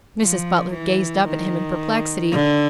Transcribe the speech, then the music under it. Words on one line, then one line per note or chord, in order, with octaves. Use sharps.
Mrs. Butler gazed up at him in perplexity.
F3
E3
D#3
D3